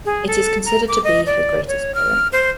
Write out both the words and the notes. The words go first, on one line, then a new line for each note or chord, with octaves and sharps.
It is considered to be her greatest poem.
G#4
A4
A#5
D6
D#5
D5
C#5
F6
C5